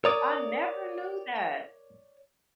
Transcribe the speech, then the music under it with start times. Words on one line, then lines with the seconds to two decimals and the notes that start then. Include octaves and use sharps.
I never knew that.
0.05 A#4 C#5 D5 D#6